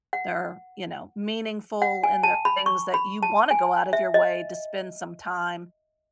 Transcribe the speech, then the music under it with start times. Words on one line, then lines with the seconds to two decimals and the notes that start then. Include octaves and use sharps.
They're, you know, meaningful, and they're things that you wanna go out of your way to spend some time,
0.13 F#5
1.82 F#5
2.04 G#5
2.23 A5
2.45 B5
2.66 C#6
2.94 B5
3.23 A5
3.51 G#5
3.93 E5
4.14 D#5